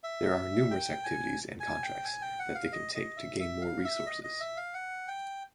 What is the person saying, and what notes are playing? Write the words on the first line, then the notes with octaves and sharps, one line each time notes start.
There are numerous activities and contracts that they can take to gain more resources.
E5
G5
G#5
G#5
G5
G#5
G5
F#5
F5
D#5
D#5
E5
E5
F5
E5
D#5
D#5
E5
F5
F#5
G5